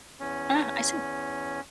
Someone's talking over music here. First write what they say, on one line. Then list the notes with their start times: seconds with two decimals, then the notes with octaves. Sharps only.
Ah, I see.
0.20 E2 C#4